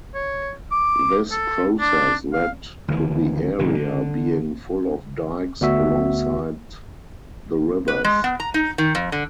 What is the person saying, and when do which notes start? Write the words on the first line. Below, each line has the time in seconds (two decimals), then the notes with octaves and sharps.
This process led to the area being full of dikes alongside the rivers.
0.15 C#5
0.72 D6
1.31 A4
1.80 D4
2.33 F5
2.88 D2 D#3 E3
3.58 F#1 A#2 D#3
3.75 D3
5.61 D2 B3 F#4 E5
7.88 B4
8.04 G#3
8.24 B3
8.40 A#5
8.54 D#4
8.78 D#3
8.95 F2
9.12 D3